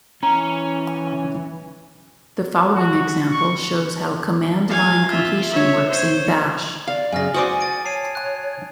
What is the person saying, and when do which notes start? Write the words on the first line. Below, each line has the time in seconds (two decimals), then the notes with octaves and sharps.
The following example shows how command-line completion works in Bash.
0.23 E3 C#4 E4 A#5
2.74 F#4
3.32 C#6
4.69 F5 G#5
5.08 F4 E5
5.50 C#5 E5
5.89 C5 C#5
6.88 D5 F5
7.12 F#2 C#3 G#5 F6 A#6
7.34 F#4 C5 D5 G#5 D#6 D7
7.61 A6 D7
7.85 C#5 A5 C7 D#7
8.15 F#6